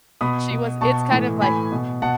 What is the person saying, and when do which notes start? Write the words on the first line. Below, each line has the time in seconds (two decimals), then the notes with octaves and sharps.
She was it's kind of like
0.21 B2 B5 D#6
0.51 B2
0.81 B2 A5 C#6
1.12 A2 E3
1.41 A2 E3 G#5 B5
1.72 B2
2.02 B2 F#5 A5